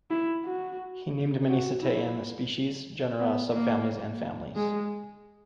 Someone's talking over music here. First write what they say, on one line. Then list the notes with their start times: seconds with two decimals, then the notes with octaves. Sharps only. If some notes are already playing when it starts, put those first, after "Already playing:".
He named many cetacean species, genera, subfamilies, and families.
0.11 E4
0.45 F#4
1.49 F#4
1.82 E4
3.19 B3
3.54 A#3
4.56 G#3